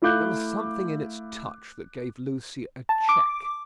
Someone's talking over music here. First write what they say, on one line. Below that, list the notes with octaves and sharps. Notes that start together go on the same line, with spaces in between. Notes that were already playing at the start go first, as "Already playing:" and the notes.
There was something in its touch that gave Lucie a check.
A3 E4 F5 D6 F#6 G6
A5
D6